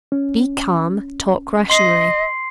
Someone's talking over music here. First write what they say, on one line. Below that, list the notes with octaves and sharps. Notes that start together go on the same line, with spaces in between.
Be calm; talk rationally.
C#4
D#5 C6 C7